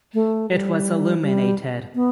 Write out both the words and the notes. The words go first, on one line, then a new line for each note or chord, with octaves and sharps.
It was illuminated.
A3
G3
G3
B3